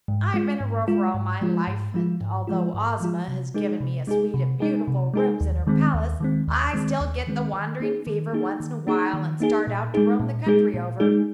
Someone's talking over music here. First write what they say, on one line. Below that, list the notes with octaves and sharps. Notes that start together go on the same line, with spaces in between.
I've been a rover all my life, and although Ozma has given me a suite of beautiful rooms in her palace I still get the wandering fever once in a while and start out to roam the country over.
G#2
G#3 F4
G#2
G#3 F4
G#2
F3 G#3 F4
G#2
F3 G#3 F4
G#2
F3 G#3 F4
G#2
F3 G#3 F4
C3
G#3 D#4 G#4
C3
G#3 D#4 G#4
C3
G#3 D#4 G#4
C3
G#3 D#4 G#4
D#2
D#3 G#3 C4
D#2
D#3 G#3 C4
D#2
D#3 G#3 C4
D#2
D#3 G#3 C4
D#3
A#3 D#4 G#4
D#3
A#3 D#4 G#4
D#3
A#3 D#4 G#4
D#3
A#3 D#4 G#4
A#2
G#3 D#4 G#4
A#2
G#3 D#4 G#4
A#2
G#3 D#4 G#4